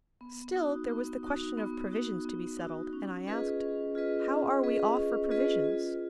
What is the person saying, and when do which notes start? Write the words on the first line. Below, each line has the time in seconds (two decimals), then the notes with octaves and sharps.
Still there was the question of provisions to be settled, and I asked--"How are we off for provisions?"
0.21 B3
0.56 D#4 F#4
0.89 B3
1.23 D#4 F#4
1.58 B3
1.92 D#4 F#4
2.25 B3
2.59 D#4 F#4
2.93 C#4
3.27 F4 G#4 B4 D#5
3.60 C#4
3.95 F4 G#4 B4 D#5
4.29 C#4
4.63 F4 G#4 B4 D#5
4.97 C#4
5.30 F4 G#4 B4 D#5
5.64 F4